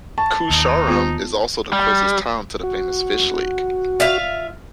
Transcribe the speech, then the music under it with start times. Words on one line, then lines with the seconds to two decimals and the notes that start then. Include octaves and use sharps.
Koosharem is also the closest town to the famous Fish Lake.
0.18 A5 C#6
0.50 D#2 D#4
0.88 B3 F4 C5
1.73 G3
2.63 F#4
4.00 F4 E5 F5